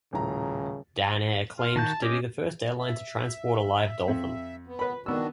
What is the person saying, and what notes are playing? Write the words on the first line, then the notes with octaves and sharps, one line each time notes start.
Dan-Air claimed to be the first airline to transport a live dolphin.
D#1 A2 C#3 A#5
F4
D#3 F#4 A5 G6
C#4 G4 D#5
E5
F2
B3
B4 B5
D#3 B3 D4 F#4 E6